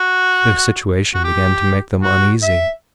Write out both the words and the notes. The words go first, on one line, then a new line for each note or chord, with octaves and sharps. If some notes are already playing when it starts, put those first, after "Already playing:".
Their situation began to make them uneasy.
Already playing: F#4
F#4
G4
F#4
E5